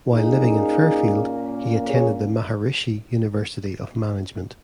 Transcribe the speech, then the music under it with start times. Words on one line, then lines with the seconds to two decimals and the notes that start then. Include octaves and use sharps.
While living in Fairfield, he attended the Maharishi University of Management.
0.13 A#2 A#3 C#4 D#4 G#4
1.87 G#4 C#5